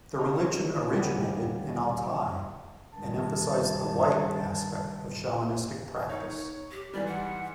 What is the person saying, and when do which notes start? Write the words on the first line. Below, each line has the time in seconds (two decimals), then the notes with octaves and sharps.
The religion originated in Altai, and emphasized the "white" aspect of shamanistic practice.
0.19 D#4 F4 C#5
0.94 D#2 C#3 G3 B3 B5 D#6
2.94 G2 D#3 A5
6.09 D#4 C#5
6.71 G4
6.93 G#2 E3 G3 D5
7.07 F#5